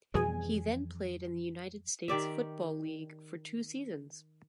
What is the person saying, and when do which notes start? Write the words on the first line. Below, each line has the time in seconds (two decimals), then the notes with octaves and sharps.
He then played in the United States Football League for two seasons.
0.14 F2 B2 E3 G3 G#4 G#5
2.08 D#3 G4 D5 E5